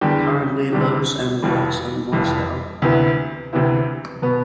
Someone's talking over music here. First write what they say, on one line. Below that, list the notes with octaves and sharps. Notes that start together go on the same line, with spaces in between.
Currently lives and works in Moscow.
E2 D3 G3 D4 G4
E2 D3 G3 D4 G4
F1 F2 E3 G3
F1 F2 E3 G3
D2 C3 E3 B3 E4
D2 C3 E3 B3 E4
B2 B3